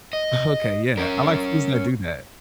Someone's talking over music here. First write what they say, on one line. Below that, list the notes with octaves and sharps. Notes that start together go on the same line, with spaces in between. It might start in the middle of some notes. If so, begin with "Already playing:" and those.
Okay. Yeah. I like foods that do that.
D#5
C#4 A#4